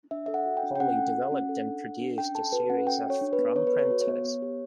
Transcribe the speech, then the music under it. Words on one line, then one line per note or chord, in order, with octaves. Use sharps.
Holley developed and produced a series of drum printers.
D4 E5
A4 E5
F#5
F#4
G5
D4
G5
C#4 F#5
A4
F#4
C#4
A4
D4
A4
D4
C#4 G5
A4 A5
F#4 B4
C#4 F#5
A4 G5
F#4
C#5
D4
B4
B3
B3 C#5
B4
A4
C#5
F#4
C#5
B3
B3
G4